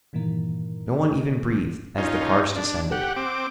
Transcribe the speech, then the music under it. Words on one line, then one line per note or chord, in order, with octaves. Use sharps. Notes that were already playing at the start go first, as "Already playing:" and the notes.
No one even breathed as the cards descended.
G2 A#2 D#3 E3 A#3
C#4 D#4 F4
D4
G4 F#5
C4 D6